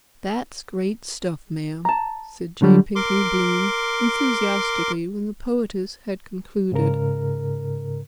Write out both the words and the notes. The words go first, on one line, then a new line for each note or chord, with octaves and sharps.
"That's great stuff, ma'am," said J. Pinkney Bloom, enthusiastically, when the poetess had concluded.
A5 A#5
D3 F#3 G3
A#4 C6 D6
G#2 C#3 A#4